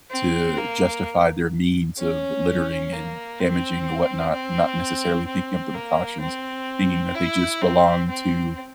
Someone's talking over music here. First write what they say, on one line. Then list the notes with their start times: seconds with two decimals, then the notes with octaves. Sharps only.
to justify their means of littering and damaging the whatnot, not necessarily thinking of the precautions, thinking that they just belong to,
0.11 C4
0.57 A#3
1.98 C#4
2.92 A#3
3.39 C4
4.33 C4
5.27 C4
5.74 A#3
6.21 C4
7.15 E4
7.62 C4
8.09 C4